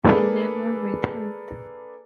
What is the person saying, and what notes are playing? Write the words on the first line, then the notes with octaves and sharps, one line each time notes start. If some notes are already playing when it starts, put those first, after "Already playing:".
He never returned.
A#3 D4 G#4 A4 B4